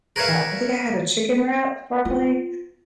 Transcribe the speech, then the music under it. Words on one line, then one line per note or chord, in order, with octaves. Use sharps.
I think I had a chicken wrap, probably?
A#4 B4 C#5 E5 F5
F4